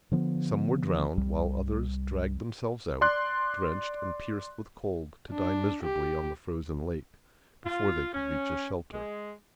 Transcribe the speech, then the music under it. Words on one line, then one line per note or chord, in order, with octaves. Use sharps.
Some were drowned; while others dragged themselves out, drenched and pierced with cold, to die miserably on the frozen lake, before they could reach a shelter.
D3 F3 B3
C2 G3
D5 C6 F#6
D4
G4
F4
C#4
G#3